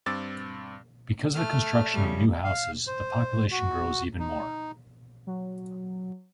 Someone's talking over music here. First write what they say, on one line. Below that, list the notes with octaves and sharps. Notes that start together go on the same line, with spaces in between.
Because of the construction of new houses the population grows even more.
G2 C4 D6 E6 A6
A3 F6
C#3 G3
F5
C5
F#4
D#4
F#3